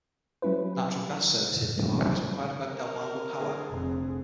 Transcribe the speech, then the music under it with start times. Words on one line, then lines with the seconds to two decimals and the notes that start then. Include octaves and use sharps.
Natural gas service in Newark is provided by Delmarva Power.
0.42 F#3 G3 C#4 E4 B4
2.62 A#4
3.39 D3 G#4
3.70 F1